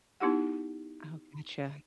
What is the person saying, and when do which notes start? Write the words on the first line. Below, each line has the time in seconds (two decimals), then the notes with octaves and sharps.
Oh, gotcha.
0.20 B3 D#4 E4 G4 F#5